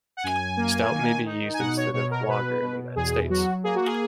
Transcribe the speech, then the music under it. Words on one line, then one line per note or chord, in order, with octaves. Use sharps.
Stout may be used instead of lager in the United States.
F#5
F#2 G#5
A#3
D#3
D#4
G#5
B2 F#5
C#5
B2 C#5
A#4
C#5
B2 B4
B2
E2 G#4
F#3 F#4
A#3 G#4
F#4
G#4